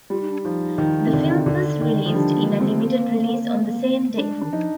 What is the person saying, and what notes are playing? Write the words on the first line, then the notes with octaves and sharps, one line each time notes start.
The film was released in a limited release on the same day.
G3 F4
D#4
D4
F3 D#4
D#3
C3
D3
D3
D#3
F3
G3 D4
A#3
C4
A#3
G#3 D4
G#3
D#3 D4
F3 D#4